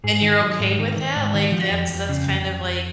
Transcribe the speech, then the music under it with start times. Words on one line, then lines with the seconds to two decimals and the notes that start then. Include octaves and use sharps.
And you're okay with that? Like, that's that's kind of like
0.04 G#2 G#4
0.22 D#3
0.41 F#3
0.60 G#2
0.79 D#3
0.96 D#3
1.16 G#2
1.34 D#3
1.52 F3 G4
1.62 F#4
1.70 F2 G4
1.90 F2
2.09 C#3
2.27 F2
2.45 F2
2.65 F2